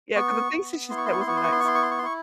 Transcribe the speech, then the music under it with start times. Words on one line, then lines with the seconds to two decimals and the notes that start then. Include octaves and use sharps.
Yeah, ‘cause the things that she said wasn't nice.
0.16 B3 C#6
0.52 B3
0.90 E4 C6
0.97 C#6
1.06 C6
1.13 C#6
1.20 C6
1.27 B3 C#6
1.37 C6
1.44 C#6
1.52 C6
1.60 C#6
1.64 E4 C6
1.75 C#6
1.83 C6
1.91 C#6
1.98 C6
2.03 E4 C#6